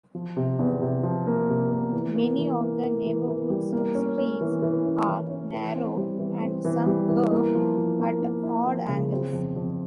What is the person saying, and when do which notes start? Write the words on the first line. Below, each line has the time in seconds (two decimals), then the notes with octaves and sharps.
Many of the neighborhood's streets are narrow and some curve at odd angles.
0.15 F3
0.37 C3
0.59 E2
0.81 C3
1.03 F3
1.27 A#3
1.49 C3
1.70 A#3
1.93 E3
2.16 A#3
2.39 E3
2.61 A#3
2.83 A#3
3.06 E3
3.28 E3
3.50 G3
3.73 A#3
3.95 C#4
4.18 C#4
4.41 E3
4.62 E3
4.86 C#4
5.08 E3
5.30 C#4
5.53 E3
5.75 C4
5.97 G3
6.19 E3
6.41 C4
6.65 E3
6.86 G3
7.09 E3
7.31 A#3
7.55 F3
7.77 F3
8.00 A#3
8.22 A#3
8.43 E4
8.67 F3
8.88 C#3
9.12 C4
9.33 F2
9.56 F2